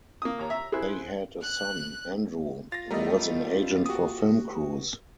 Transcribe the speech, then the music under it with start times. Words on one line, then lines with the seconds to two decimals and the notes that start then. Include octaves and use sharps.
They had a son, Andrew, who was an agent for film crews.
0.22 A#3 D#6
0.38 D#2 C#5 A#5
0.50 E5 A#5
0.72 E4 G#4 C5 F#6
1.44 F#6
2.72 F4 A6 A#6
2.91 G3 A3 A#4 D#5
3.86 A#3 F#4 G4 D#6